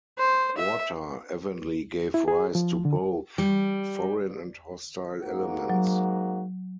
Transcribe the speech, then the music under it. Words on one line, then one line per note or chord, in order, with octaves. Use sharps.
Water evenly gave rise to both foreign and hostile elements.
C5
E5
E4
G#4
F3
D3
G3
G#2 A#3 F#4
F#3